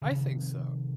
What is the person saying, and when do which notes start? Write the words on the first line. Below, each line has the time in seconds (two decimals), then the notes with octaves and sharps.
I think so.
0.02 C3 D#3 F3 B3